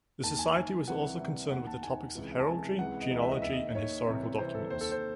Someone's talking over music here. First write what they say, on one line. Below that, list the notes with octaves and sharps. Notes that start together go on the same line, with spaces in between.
The society was also concerned with the topics of heraldry, genealogy, and historical documents.
D#2 D#3 A5
G#5
D#2 D#3 G#5
C2 C3 E3 F#5
C2 C3 E3
D#2 D#3 F#5
A5
D#2 D#3 G#5
C#2 C3 E3
A5
C#2 C3 E3 G#5
C#2 C3 E3 F#5
D#5
C#2 C3 E3 D#5
E5
D#5
D#2 D#3 E5
D#5
D#2 D#3 C#5
C2 C3 E3
C2 C3 E3 C5
A4
D#2 D#3 C5
A4
C5